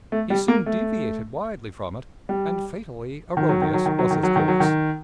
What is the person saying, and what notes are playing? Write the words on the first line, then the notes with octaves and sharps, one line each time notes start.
He soon deviated widely from it--and fatally erroneous was his course.
A3
G3
A#3
A3
G3
D#3
F#3
D#3
F#3
D#3
F#3
D#3
F#3
D#3
F#3
D#3